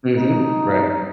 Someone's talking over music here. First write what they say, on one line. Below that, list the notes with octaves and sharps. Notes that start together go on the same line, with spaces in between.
Mhm, right.
D#4